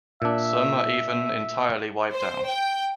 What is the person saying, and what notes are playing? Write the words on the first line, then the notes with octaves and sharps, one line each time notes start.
Some are even entirely wiped out.
A#2 D4 E5
C5
G5